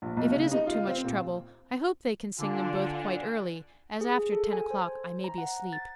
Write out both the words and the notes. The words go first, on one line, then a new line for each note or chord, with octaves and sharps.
If it isn't too much trouble, I hope they can sing them both quite early, as after ten o'clock I may be asleep.
A#1
B1
C#3
D#4
F4
C4
A#2
D3 D4 F4 G#5
G#4
A4
G#5
C5
A#5
F#5
A6